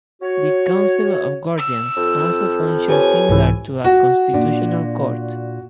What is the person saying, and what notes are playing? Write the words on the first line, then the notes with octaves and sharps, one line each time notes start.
The Council of Guardians also functions similar to a constitutional court.
F#4 C#5
E6
F2
G4 B4 C#5 G#5
C2 G#2 E3
F#4
A#2 D4